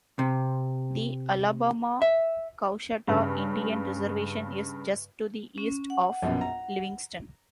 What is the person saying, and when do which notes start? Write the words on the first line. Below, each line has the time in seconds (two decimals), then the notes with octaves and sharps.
The Alabama-Coushatta Indian Reservation is just to the east of Livingston.
0.19 C3
2.02 E5
3.08 G2 C#3
5.58 C#4
5.90 F#5
6.22 A#1 F#2 B2
6.41 A#5